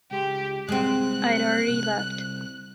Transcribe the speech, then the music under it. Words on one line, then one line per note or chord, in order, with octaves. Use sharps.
I’d already left.
C#2 G#3 G4 C6
C2 G#3 C4 F#5 F#6
C2 F2